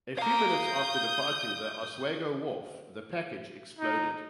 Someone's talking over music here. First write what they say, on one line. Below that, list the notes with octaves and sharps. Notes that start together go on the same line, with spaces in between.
A few minutes after departing the Oswego wharf, the package exploded.
F5 A#5 D#6 G6
D#4